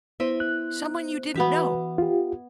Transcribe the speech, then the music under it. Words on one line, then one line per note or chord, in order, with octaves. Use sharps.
Someone you didn't know?
B3 E4 C5 E5
F#6
E3 B3 F#4 B4 E5
F4 G4